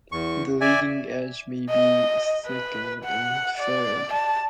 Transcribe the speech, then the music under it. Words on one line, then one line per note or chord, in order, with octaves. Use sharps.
The leading edge may be thickened and faired.
E2 C#6
D5 E5 G#5
D#5
B4
F#5
D5
A5